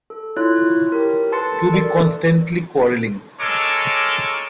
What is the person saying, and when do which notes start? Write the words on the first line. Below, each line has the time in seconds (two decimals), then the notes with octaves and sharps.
To be constantly quarrelling.
0.10 A4
0.37 E4 F4 C#5 F#6
0.92 G4 A#4
1.32 A4 B4 A5 C6 A6 C#7
1.72 A4 A#4 D5
3.40 G#3 A4 A#4 C#5 D6